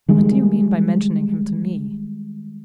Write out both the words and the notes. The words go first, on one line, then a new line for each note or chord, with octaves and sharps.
"What do you mean by mentioning him to me?"
D#3 G3 G#3 D4